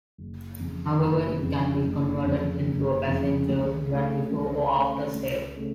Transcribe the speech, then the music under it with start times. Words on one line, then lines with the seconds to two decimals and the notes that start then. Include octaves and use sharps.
However, it can be converted into a passenger van before or after sale.
0.18 F#1
0.59 F2 C#3
1.00 F#1
1.41 F2 C#3
1.83 F#1
2.25 F2 C#3
2.66 F#1
3.07 F2 C#3
3.49 C#2
3.91 C#3 A3 C#4 A4
4.32 C#2
4.73 C#3 A3 C#4 A4
5.14 C#2
5.56 C#3 A3 C#4 A4